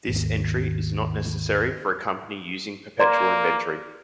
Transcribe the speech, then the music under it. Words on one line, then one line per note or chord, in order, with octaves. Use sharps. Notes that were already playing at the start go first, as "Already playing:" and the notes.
This entry is not necessary for a company using perpetual inventory.
G#1 D#2
A#3 D5 A#5 C6